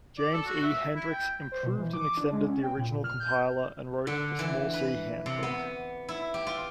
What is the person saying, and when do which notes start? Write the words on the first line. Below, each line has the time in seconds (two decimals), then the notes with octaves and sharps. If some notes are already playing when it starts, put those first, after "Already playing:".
James E. Hendrix improved and extended the original compiler, and wrote "The Small-C Handbook".
0.18 D5
0.33 A4
0.46 F#4
0.63 E5
0.95 E4
1.11 G5
1.52 C5
1.63 B2
1.78 E3
1.93 D6
2.17 D4
2.32 G#3
2.48 C#4
2.63 G5
2.77 A#2
3.04 F6
3.20 G6
4.07 D3
4.39 E3
4.73 B4
5.26 C3
5.43 B3
6.09 E4
6.34 G4
6.47 F4